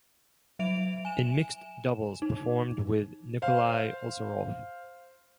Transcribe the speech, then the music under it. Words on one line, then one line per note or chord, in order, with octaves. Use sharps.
In mixed doubles performed with Nikolai Ozerov.
F#3 E5 D7 F7
G#5 E7
D#4
C5 F5